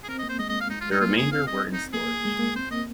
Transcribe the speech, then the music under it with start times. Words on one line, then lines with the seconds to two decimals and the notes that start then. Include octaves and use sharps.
The remainder were in storage.
0.03 G#4
0.08 C4 A#4
0.19 A#3 D#5
0.29 C5
0.39 G#3 D#5
0.49 D#5
0.60 F5
0.70 D#4
0.81 F4
0.91 D#4
1.00 A#3 F4
1.17 G#4
1.31 C4 F5
1.47 D#5
1.73 D#4
1.93 A#3 G#4
2.25 G#3
2.39 A#3
2.55 C4 C5
2.71 A#3 D#5